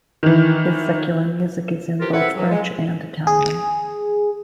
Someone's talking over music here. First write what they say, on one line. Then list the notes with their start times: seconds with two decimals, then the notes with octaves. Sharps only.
His secular music is in both French and Italian.
0.23 D#3 E3
2.00 C3 E3 F4 G4 A#4
2.13 C4 E4 A4 B4 E5 F#5
2.36 C#2 G#2 E3 F#3
2.50 G#3
3.27 G#4